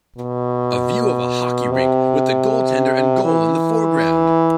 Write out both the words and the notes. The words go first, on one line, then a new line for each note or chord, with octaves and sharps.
A view of a hockey rink with the goaltender and goal in the foreground.
B2
C3
E3